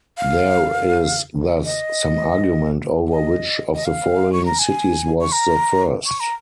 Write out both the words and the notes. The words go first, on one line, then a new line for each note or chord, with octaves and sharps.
There is thus some argument over which of the following cities was the first.
F5
D#5
D#5
D#5
F5
C#6
A#5
G#5
C#6
A#5
C#6
A#5